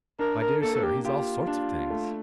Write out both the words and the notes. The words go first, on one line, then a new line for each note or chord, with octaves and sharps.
'My dear sir, he's all sorts of things.'
D4 A#4
A#4
A#3 A4
A4
G4
F4 G4
D4
A3